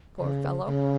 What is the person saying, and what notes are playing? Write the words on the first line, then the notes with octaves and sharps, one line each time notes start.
Poor fellow!
C#3
C#3